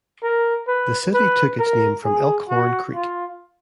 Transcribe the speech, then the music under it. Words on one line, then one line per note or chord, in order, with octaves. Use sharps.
The city took its name from Elk Horn Creek.
A#4
B4
B4
A#4
G#4
F#4
F4